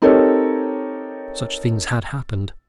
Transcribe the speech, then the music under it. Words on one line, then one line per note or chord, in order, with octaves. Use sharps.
Such things had happened.
C4 D#4 G4 A4 A#4 C#5